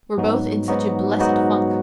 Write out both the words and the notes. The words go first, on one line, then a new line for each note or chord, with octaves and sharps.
We're both in such a blessed funk.
G#2 F#3 B3 D#4 F#4
G#2 F#3 B3 D#4 F#4
G#2 F#3 B3 D#4 F#4